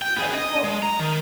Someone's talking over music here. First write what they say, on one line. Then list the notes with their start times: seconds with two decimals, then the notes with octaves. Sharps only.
Yeah, the e well,
0.02 G5
0.17 B3 G#4
0.35 D#5
0.64 G#3
0.83 A#5
0.99 D#3